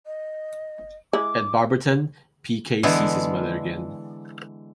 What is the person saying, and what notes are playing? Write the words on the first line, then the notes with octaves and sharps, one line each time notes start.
At Barberton, Peekay sees his mother again.
D#5
G#3 E4 D6
D3 E3 G#3 B3 E4